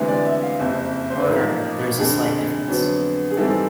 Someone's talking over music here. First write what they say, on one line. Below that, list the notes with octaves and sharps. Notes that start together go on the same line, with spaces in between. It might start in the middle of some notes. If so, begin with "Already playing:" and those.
However, there is a slight difference.
Already playing: D2 C3 E3 G#3 B3
D5
E5
F5
F#1 F2 C3 E5
C5
B4
A1 G#2 F3 A#3 A#4
F1 F2 D3 G#4
F2 D3 F#3 B3
G#4
G#2 E3 G3 C4 A4